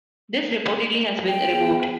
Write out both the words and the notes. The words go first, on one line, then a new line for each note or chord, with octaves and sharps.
This reportedly has been removed.
G5
B3 F4 G#4